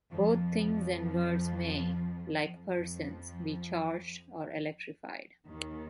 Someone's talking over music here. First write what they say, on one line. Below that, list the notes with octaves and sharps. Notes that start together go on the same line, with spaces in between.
Both things and words may, like persons, be charged or electrified.
F2 F3
F2 F3
D#2 D#3